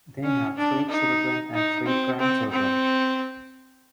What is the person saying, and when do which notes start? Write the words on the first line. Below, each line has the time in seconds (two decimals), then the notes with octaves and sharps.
They have three children and three grandchildren.
0.24 C#4
0.57 D4
0.89 D#4
1.55 D#4
1.87 C4
2.20 C4
2.52 C4